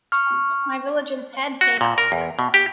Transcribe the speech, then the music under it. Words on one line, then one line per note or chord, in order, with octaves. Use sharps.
My vigilance had paid off.
C#6 F6
F#4
A#2
A#4
E2
B2
G4